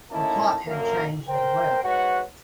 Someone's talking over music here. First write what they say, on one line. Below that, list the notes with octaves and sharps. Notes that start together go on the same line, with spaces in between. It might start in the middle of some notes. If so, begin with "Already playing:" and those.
The plot had changed as well.
A3 A#3 C#4 D#4 E4 A5
F#2 D3 A#3 A#4
A#4 C5 G5
G#2 F#4 B4 C#5 F#5